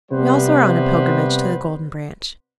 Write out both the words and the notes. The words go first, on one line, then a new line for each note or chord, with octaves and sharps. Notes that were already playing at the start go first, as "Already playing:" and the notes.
'We also are on a pilgrimage to the Golden Branch.'
C3 G3 B3 B4 C5